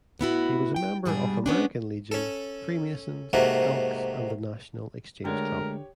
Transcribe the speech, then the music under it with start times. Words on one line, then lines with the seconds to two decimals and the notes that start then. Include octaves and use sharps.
He was a member of American Legion, Freemasons, Elks, and the National Exchange Club.
0.19 A2 B3 E4 F#4
0.76 G5
1.05 G#2 B2 G3 D4 F4 G#4
1.46 B3 C#4 D4
2.12 C#4 A4
3.33 G#2 C3 A3 A#3 F#4
5.25 D3 G#3 A3 G4 A#4 C#5